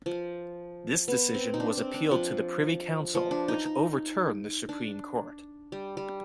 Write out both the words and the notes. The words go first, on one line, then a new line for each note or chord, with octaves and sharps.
This decision was appealed to the Privy Council, which overturned the Supreme Court.
F3
B3
C4
D#4
D4
C4
D4
F3
F3
D4
D#4
D#4
D4
G3
G3